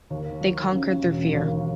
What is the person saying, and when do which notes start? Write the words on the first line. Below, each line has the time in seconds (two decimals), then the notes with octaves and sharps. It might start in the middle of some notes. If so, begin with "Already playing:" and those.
They conquered their fear.
0.10 D#2
0.41 F#3
0.72 C#3
1.03 E1
1.33 D#2